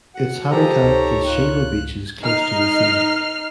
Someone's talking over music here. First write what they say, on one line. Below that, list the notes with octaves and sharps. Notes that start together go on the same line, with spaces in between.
Its habitat is "shingle beaches close to the sea".
F#4 F#5
F3 G#3 G4 A4 C5 A#5
C#2 D#4 A#4 C#5
F4 F#6
D#4 F6 C7